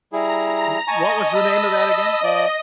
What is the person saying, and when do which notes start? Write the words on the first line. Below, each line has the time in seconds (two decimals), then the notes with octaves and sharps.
W w what was the name of that again?
0.13 G3 E4 G#4 A#5
0.45 A#5
0.88 D#5 G#5 A5 C#6
1.35 A5 B5 E6
2.23 F3 D5